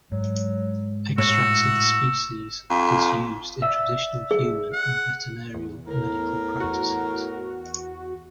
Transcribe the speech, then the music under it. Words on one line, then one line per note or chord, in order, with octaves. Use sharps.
Extracts of the species is used in traditional human and veterinary medical practices.
G#2 F#3
A2 F#4 E6
F2
D5 E5
G#4
F#5
E2
A2 B3 A#4
E2 F#4